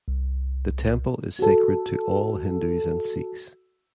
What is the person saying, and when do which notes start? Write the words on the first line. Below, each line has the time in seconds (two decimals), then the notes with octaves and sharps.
The temple is sacred to all Hindus and Sikhs.
0.08 C2
1.39 F#4 A4